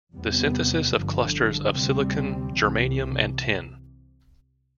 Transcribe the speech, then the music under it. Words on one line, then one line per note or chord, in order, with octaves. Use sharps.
The synthesis of clusters of silicon, germanium, and tin.
E2 C3 G3 B3
G1 G2 D3 F3
D2 C3 G3 C4
C2 C3 E3